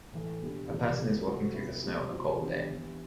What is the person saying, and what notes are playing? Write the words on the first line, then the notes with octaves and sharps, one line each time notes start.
A person is walking through the snow on a cold day.
A2 E3 A3 E4
B2 G3 D4
A2 E3 G3 B3
B3 E4 A4
C3 F#3 C4 F#4 A4
C3 F#3 B3 E4
B2 G3 B3
C3 F#3 C4 F#4 C5
E3 B3 D4 G4
E3 G3 B3